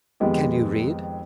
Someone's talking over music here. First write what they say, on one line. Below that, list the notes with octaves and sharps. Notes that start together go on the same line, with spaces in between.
"Can you read?"
F2 D#3 G#3 B3 G4